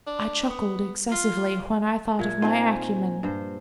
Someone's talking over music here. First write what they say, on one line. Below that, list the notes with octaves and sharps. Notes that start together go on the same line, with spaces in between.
I chuckled excessively when I thought of my acumen.
D4
B3
F4
A#2 E5 G#6
C4 D#4 F4 G#5 A#5
G2 C5